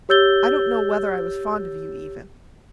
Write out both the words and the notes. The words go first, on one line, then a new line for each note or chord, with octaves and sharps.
I don't know whether I was fond of you even.
G4 C#5 E6 G6 A6 G7